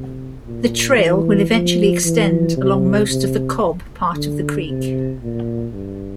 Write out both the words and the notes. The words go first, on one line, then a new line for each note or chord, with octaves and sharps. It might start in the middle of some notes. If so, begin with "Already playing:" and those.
The trail will eventually extend along most of the Cobb part of the creek.
Already playing: C3
A#2
E3
F3
E3
C3
C3
D3
C3
A#2
G2